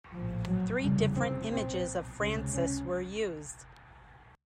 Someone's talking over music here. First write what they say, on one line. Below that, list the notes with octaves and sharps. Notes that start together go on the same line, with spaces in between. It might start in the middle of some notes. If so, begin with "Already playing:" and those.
Three different images of Francis were used.
A#1 A2 F3
F#3
F1 E2 C#3 G3
C4
B1 A#2 C4
C#2 C3 C#4
C#4